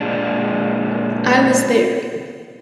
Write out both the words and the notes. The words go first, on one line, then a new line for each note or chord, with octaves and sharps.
I was there.
A#2 G#3 D4